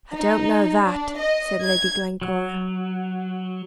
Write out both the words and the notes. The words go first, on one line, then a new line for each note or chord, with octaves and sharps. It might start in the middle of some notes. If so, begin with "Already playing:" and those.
"I don't know that," said Lady Glencora.
D#4
D4
D#5
G#6
F#3